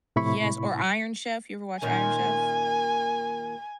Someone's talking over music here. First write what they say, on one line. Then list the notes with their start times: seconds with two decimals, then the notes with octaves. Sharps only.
Yes, or Iron Chef, you ever watched Iron Chef?
0.16 A2 C3 E4 B5 C#6
1.82 A#2 D#3 C#4 G#5